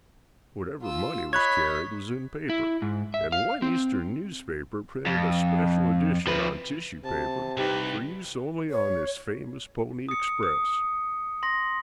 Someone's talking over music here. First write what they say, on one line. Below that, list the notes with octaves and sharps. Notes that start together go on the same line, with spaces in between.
Whatever money was carried was in paper, and one Eastern newspaper printed a special edition on tissue paper for use only on this famous Pony Express.
F4 E6
C#5 D#5 B5 F#6 G#6 B6
E4
G#2
E5
F5
C4
F2
F3 B4
C3 A5
C2 D#4 G4 B4
C#5
D#6 C#7
D#6
C6 A#6